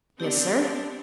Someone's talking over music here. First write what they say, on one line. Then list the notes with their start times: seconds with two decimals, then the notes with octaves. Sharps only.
"Yes, sir."
0.20 B3 C4 D4 G4